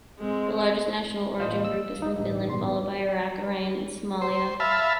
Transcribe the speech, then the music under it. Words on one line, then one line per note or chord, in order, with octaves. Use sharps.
The largest national origin group is from Finland, followed by Iraq, Iran and Somalia.
G#3 C4
A1 F3 A#3 C5 D#5 F5
E6
D2 D#4
A1 G2
G#2 B2 C6
B3
C5
E5 F5 A5 B5